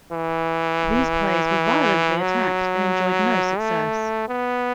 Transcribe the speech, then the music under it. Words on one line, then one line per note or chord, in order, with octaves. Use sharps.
These plays were violently attacked and enjoyed no success.
E3
F#3
A3
B3